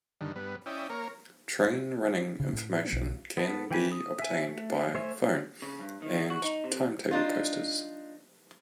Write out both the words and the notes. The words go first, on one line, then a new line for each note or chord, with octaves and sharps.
Train running information can be obtained by phone and timetable posters.
G2 D3 D#3
G2 B3
C#4 E4 D5 D#5 G5
A#3 A#4 C#5
C#3
A2
B1
B3 A4
E3 G5 G#5 B5
D#6
E5 G#5
A3
A3 C5 C#5 E5 G#5
C#3
G2
D#3
F#4
D#4
C3
D4 D#4 F4